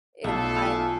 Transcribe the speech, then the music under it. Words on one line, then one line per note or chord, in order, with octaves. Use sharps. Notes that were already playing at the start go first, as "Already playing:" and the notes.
and I
B1 A3 F4 A4
F4 G#5